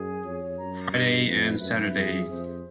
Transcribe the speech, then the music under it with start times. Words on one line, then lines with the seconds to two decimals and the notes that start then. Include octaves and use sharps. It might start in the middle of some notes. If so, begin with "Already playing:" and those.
Friday and Saturday.
Already playing: F#2 G#4
0.24 F2 C#5
0.58 F#2 A#5
0.92 G2 D#5
1.26 F2 B4
1.59 F#2 E5
1.94 F2 G#4
2.28 F2 C5